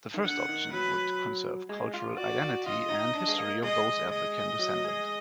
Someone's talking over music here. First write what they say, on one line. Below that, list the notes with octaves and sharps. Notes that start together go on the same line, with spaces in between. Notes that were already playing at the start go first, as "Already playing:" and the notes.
The first option would conserve cultural identity and history of those African descendant.
D#3
D3 F#5
D#3
F#3 B4
G#3
F4
F#4 D5
F#4
F4 D#5
D#4
D4
G#3
A#3
G#3 D#5
D#5
F#3
G#3